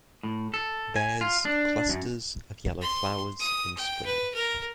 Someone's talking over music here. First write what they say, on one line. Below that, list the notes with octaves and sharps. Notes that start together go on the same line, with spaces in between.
Bears clusters of yellow flowers in spring.
A2
A4
G#5
F4
D4
F#2
C6
D#6
G5
B4
A#4